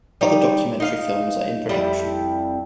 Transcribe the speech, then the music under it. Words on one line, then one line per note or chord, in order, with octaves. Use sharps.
Other documentary films are in production.
G3 D#4
D#4 F5
F2 G3 E4